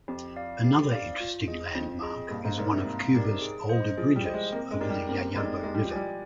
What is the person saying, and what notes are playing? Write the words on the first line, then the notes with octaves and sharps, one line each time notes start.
Another interesting landmark is one of Cuba's older bridges over the Yayabo river.
F2 G4
D5 F5
G4
D5 F5
F4
G#4 D#5
F2 F4
G#4 D#5
G2 A#3
G#2
G#2 D#4 G4 A#4 D5
C3
A#3
D#4 G4 A#4 D5
G#4
C5 D#5
F3 G#4
G3
C5 D#5
G#3
A#3 C4
G#3
D#4 G4 A#4 D5
G3
A#3 C4
G#3 D#4 G4 A#4 D5
G#3 G4
G3
F3
G3 D5 G#5